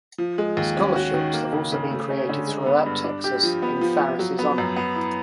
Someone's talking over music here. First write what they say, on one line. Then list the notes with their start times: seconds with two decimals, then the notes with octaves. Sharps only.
Scholarships have also been created throughout Texas in Farris’ honor.
0.18 F3
0.38 G#3
0.57 D#2
0.77 C#4
0.96 F#4
1.14 D#3
1.33 A#3
1.53 C#3
1.72 C#3
1.91 A3
2.10 C#4
2.29 D3
2.47 G#3
2.66 B3
2.86 G2
3.04 D4
3.24 G4
3.43 F3
3.62 B3
3.81 F3
4.00 F3
4.19 F#3
4.39 B3
4.58 F#2
4.76 B3
4.96 E4